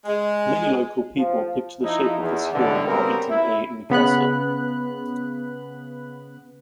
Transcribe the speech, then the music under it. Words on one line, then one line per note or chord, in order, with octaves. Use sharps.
Many local people picture the shape of this hill while eating a "mikasa".
G#3
F3
F3 D#4 E4
E2
A1 G2 B2 D3
C#3 G3 B3 C4 F#4 A#4
E4
C#3 B3 B5 F#6